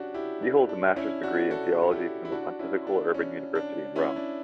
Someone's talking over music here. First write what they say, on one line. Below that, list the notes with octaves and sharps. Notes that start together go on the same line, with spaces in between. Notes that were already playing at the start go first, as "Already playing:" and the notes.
He holds a master's degree in theology from the Pontifical Urban University in Rome.
Already playing: C#4 D4 F#4 G4
E4 G4
D4
D4
C#4 E4
D4 F#4
F#4 A4
E4 G4
E4
D4 F#4
C#4 E4
D4
C#4
D4
C#4 E4
D4